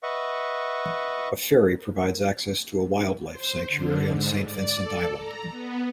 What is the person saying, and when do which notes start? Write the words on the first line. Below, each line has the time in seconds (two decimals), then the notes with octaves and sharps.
A ferry provides access to a wildlife sanctuary on Saint Vincent Island.
0.03 B4 D#5 E5 F#5 C#6
3.30 C5
3.68 D3
4.02 G#2
4.44 D5
4.80 A4
5.17 A#5
5.50 B3